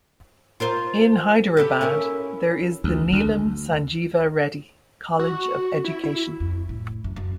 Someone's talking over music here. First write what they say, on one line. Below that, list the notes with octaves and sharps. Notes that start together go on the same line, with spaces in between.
In Hyderabad, there is the Neelam Sanjeeva Reddy College of Education.
F4 A#4 C5
G4 A4 B4
C#4 E4 A#4
D2
D2
F#4
E4
E4
F2
A2
F#2
F#2